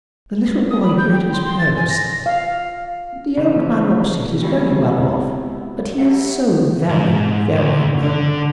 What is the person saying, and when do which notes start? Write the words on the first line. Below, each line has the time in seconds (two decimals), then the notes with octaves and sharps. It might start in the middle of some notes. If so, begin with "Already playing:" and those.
The little boy heard his parents say, "The old man opposite is very well off, but he is so very, very lonely!"
0.70 D#6
0.83 B5
0.98 G6
1.12 G5
1.33 C6
1.46 C6
1.59 A6
1.77 G#5
1.89 A#6
2.26 F5
3.38 C#3 E3 F3
4.42 G#3 B3 C4 E4 F#4 G4
5.98 F#3 G4 C#5 E5 F#5
6.89 G#2
7.55 D2
8.03 D3